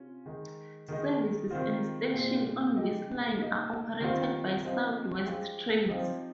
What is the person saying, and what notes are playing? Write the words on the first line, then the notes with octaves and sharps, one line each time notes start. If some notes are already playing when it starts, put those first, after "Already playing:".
Services and stations on this line are operated by South West Trains.
Already playing: C3 C#4 F4
D#3 G#3 D#4
D#3 G#3 D#4
D#3 G3 C4 F4
A#2 G#3 C4 F4
C#3 G#3 D#4 G4
G3 A#3 D#4
D#3 G3 C4 F4
F3 C4 D#4
F3 G#3 C#4 G4
F3 C4 D#4 G4